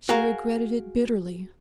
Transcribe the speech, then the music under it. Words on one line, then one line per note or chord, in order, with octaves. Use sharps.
She regretted it bitterly.
F#4 G#4 A#4 F5